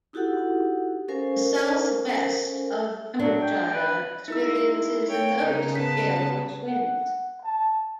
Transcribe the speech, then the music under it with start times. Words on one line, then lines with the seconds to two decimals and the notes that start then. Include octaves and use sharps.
The southwest of Pembrokeshire experiences the most gale-force winds.
0.13 D#4 E4 F#4 G4 A4 F#5
1.08 C#4 A4 A#4 C5 F5 G#5
3.19 F#3 D4
3.41 G5
3.74 B4
4.28 G#3 D#4 E4 A#4 E6
5.08 C#5 G5
5.40 C#3 D#4 A#4 G#5
5.75 G#2 B3 B4 A5 B6
6.66 F#5
7.44 A5